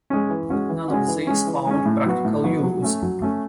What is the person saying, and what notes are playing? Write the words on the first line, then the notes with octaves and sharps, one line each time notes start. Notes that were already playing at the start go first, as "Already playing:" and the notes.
None of these found practical use.
G#3 C#4
E3
G#3 C#4 F#4
E3
G#3 C#4 F#4
E3
G#3 C#4
E3
G#3 C#4
A2
F#3 B3 F#4
A2
F#3 B3 F#4
F#3
A3 C#4
F#3
A3 C#4